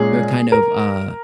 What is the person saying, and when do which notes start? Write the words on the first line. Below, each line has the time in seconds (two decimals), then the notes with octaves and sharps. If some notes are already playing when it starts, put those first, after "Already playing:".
you're kind of, uh,
Already playing: A#2 G#3 C#4 G#4
0.52 A#4